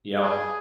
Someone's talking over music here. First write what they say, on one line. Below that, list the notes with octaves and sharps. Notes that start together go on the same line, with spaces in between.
you know,
G#4